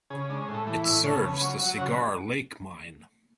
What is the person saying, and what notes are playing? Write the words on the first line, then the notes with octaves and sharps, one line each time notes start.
It serves the Cigar Lake Mine.
C#3 G#4
G#3 D4
C#4
A2
A3
E3 A3
A2 E4
C#3 C#4
A3
B3
C#3 A3
B3
F#3 C#4
F#3
F#4
C#3 F#4
F#4